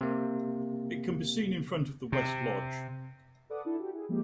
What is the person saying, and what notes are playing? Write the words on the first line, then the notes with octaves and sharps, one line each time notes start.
It can be seen in front of the West Lodge.
C3 A#3
C3
A4 B4 D5 F#5 D6 D#6
D4 E4 A4
F#4 G4
E4 G#4
F3 G#3 A#3 G4